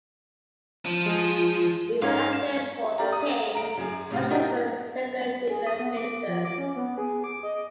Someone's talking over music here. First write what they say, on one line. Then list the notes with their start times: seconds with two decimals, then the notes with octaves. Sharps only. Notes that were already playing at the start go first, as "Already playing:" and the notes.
Ivanov therefore became Russia's first civilian Defense minister.
0.85 F3
1.06 G#3 G#4
2.02 G#2 C#4 C#5 F5
2.33 E7
2.98 G4 D5 F5 A#5
3.12 D#6
3.55 A#5 D7
3.77 F#2 G#4
4.10 A2 C3 F5
4.30 D#4 E4 F#4 G4 A#4 D#5
5.49 G#4
5.67 D#6
5.79 B3
5.97 D6
6.27 F3
6.45 D6
6.58 C#4
6.76 B3
6.98 G#4
7.24 D6
7.43 D#5